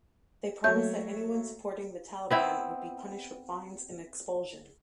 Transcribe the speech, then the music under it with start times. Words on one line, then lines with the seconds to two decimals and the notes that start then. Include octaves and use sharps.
They promised that anyone supporting the Taliban, would be punished with fines and expulsion.
0.64 F#3 A3 C#5 E5 G6
2.30 B3 C4 E4